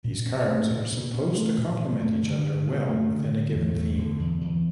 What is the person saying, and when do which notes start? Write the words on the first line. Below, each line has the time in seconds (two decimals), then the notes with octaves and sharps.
These cards are supposed to complement each other well within a given theme.
0.04 A#2
0.26 C#4
0.48 A3
0.70 A#2
0.92 A#2
1.14 C#4
1.36 A3
1.58 A#2
1.79 G2
2.01 A3
2.23 D3
2.45 G2
2.67 G2
2.89 A3
3.10 D3
3.32 G2
3.54 E2
3.76 A3
3.98 D3
4.20 E2
4.41 E2